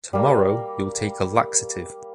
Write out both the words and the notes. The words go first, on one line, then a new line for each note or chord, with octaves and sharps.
Tomorrow, you’ll take a laxative.
G3 A#3